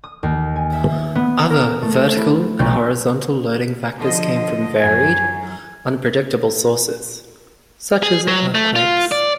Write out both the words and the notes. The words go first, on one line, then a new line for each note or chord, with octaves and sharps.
Other vertical and horizontal loading factors come from varied, unpredictable sources, such as earthquakes.
D#6
D#2
G#5
E5
B3
A#4
A3
E4
B1
D3 F3 D#5
F#2 G#5
G#4
F#3
A3
F4
D5